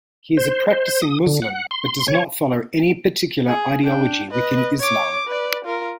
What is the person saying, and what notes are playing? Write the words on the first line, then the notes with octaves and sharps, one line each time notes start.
He is a practicing Muslim but does not follow any particular ideology within Islam.
C5
C5
D#6
D3
F#5
C6
C#5
G#4
D4 G5
B4 D#5
C#5 D6
B4 D5
F4 A#4